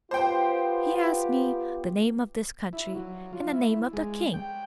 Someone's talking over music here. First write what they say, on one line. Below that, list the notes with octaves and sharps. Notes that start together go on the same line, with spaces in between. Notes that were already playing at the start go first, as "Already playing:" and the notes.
He asked me the name of this country and the name of the king.
B3 F4 G4 C5 G5
E4
F#3
F4
E4
G#3
G5